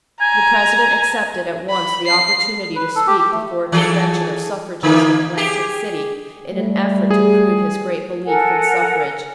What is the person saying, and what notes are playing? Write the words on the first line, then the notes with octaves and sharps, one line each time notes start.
The President accepted at once the opportunity to speak before a convention of suffragists at Atlantic City in an effort to prove his great belief in suffrage.
G#5 A#5
B5
C7
B4
A4
G4
G4
A3
E3 G#4 A4
D3 E3 A#3
G4 G#4
G3 A3
G#4
A4 A#4 F#5 G#5